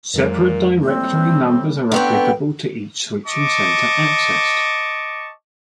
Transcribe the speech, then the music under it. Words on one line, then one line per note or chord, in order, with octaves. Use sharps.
Separate directory numbers are applicable to each switching center accessed.
F2 A#2 D#3 F#3 G#3 A#4
A2 G3 A#3 C4
D3 B3 C4 G5 A#5 C6 C#6
D#5 A5 C#6 D6